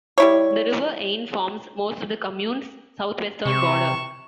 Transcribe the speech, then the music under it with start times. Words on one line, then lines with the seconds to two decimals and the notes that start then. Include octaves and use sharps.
The river Ain forms most of the commune's southwestern border.
0.18 G3 E4 C#5
3.45 C3 C#6 E7